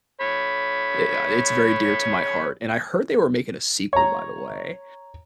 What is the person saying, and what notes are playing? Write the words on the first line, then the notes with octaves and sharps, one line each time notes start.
i uh, it's very dear to my heart, and I heard they were making a sequel, by the way,
C#5 B5
C#5 A#5